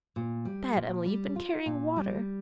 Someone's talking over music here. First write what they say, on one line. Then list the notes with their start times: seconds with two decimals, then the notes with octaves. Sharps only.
Bad Emily, you've been carrying water.
0.16 A#2
0.45 G3
0.76 A#2
1.06 G3
1.36 F4
1.66 A#2
1.96 G3